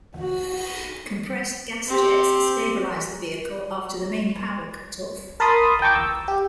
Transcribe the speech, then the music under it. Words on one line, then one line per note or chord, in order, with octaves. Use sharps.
Compressed gas jets stabilized the vehicle after the main power cutoff.
F#4
C4 G4
A#4 A5 B5 C6 D#6
G5 A5 A#5 C#6 D6 G6
E6
G4